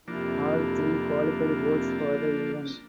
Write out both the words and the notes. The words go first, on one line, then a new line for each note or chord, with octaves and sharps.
All three qualified boats for the event.
F2 C3 F3 A#3 D4 E4